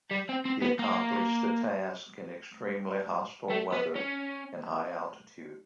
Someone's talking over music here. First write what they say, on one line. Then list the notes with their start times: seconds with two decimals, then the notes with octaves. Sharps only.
He accomplished the task in extremely hostile weather in high altitude.
0.11 G3
0.29 C4
0.45 C4
0.62 B3
0.79 A#3
3.50 A3
3.73 B3
3.96 C#4